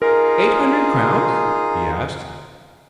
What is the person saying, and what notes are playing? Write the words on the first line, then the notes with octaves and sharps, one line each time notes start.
"Eight hundred crowns?" he asked.
D#4 F4 G#4 A#4